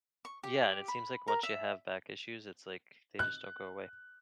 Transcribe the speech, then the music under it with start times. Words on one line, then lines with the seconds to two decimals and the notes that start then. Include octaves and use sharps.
Yeah, and it seems like once you have back issues, it's, like, they just don't go away.
0.25 C#6
0.43 G4
0.88 B5
1.28 A#4
1.43 E5
3.19 F#6